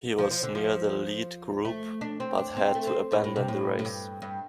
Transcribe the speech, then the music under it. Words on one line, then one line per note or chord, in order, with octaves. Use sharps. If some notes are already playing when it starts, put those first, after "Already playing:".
He was near the lead group but had to abandon the race.
F3
F3
D3
F3
A3
D4
C4
D4
C4
A3
C4
A2
A2
C3
A2
A2
G2
G2